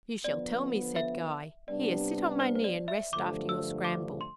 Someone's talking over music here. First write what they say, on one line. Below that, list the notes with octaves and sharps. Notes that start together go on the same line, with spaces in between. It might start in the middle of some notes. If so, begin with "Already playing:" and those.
'You shall tell me' said Guy. 'Here, sit on my knee, and rest after your scramble.'
D3 F3 B3 D5
E5
C3 G3 B3 D4 D5
C5
C5
D5
E5
G2 D3 F3 A3 D6
E6
D6
C6